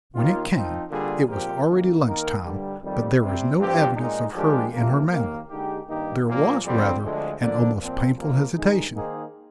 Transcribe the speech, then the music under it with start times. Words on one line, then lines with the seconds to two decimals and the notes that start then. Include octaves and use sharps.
When it came, it was already lunch-time, but there was no evidence of hurry in her manner; there was, rather, an almost painful hesitation.
0.14 D#2 D#3 A#3 F4
0.52 F3 C4 D#4
0.90 D3 G3 A#3 F4 G#4
1.28 A#2 F3 C4 G4 A#4
1.67 F2 D#3 A#3
2.05 D#3 A#3 D#4 A#4
2.44 G2 D3 G3
2.81 F2 D#3 G3
3.20 C3 G3 C4
3.58 G2 F3 C4 G4
3.96 A#2 G#3 D#4
4.34 F3 G#3 D4 G4 A#4
4.72 D2 C3 F3 A#3
5.10 D#2 D#3 A#3
5.48 D3 G#3 D#4 G4
5.88 G2 D#3 A#3 D#4 G4
6.26 A#2 F3 A#3
6.64 F2 D3 G3 C4
7.02 D2 D3 F3 G#3
7.41 D3 F3 A#3 D4
7.79 A#2 F3 C4
8.16 C2 A#2 F3 A#3
8.55 G2 D#3 G#3 D#4
8.94 D#3 A#3 D#4 G#4 C5